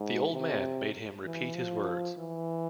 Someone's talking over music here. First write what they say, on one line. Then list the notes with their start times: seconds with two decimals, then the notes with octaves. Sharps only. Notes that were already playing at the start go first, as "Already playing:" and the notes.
The old man made him repeat his words.
Already playing: G#2
0.33 C3
1.25 E3
1.56 F3
2.18 E3